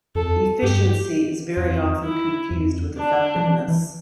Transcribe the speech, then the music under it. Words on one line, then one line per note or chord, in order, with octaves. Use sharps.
Efficiency is very often confused with effectiveness.
F2 A4
G2 G4
F2 F4
E4
F2
D4
F3
E3
E3